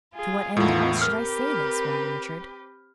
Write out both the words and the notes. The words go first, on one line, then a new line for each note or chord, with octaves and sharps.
"To what end, else, should I say this?" went on Richard.
F4 G#4
E2 A2 D#3 B3 F4
C4 G4 A#4 B4 F6